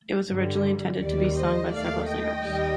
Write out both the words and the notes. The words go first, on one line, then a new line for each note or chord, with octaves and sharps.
It was originally intended to be sung by several singers.
G2 D3 G3
D#2 D#3 G3 D5
C5 D#5
D#2 D#3 A3 D5 F5
D#5 G5
D#2 D#3 G3